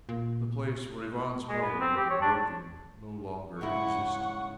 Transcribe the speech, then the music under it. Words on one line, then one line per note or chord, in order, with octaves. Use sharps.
The place where Ivan's mother had been working no longer existed.
A#2
G#3
B3
C4
G4
C#5
D4
G#2 C#3 E4 F#5 C#6